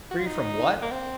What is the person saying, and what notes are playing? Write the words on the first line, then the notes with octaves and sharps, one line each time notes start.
Free from what?
F#4
F4
D#4
A#3
C4